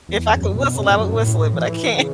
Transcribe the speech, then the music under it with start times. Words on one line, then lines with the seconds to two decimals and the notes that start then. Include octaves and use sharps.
If I could whistle, I would whistle it, but I can't.
0.09 E2
0.36 F#2
0.55 B2
0.75 C#3
0.88 A2
0.95 F#2
1.14 A2
1.54 E3
1.94 C#3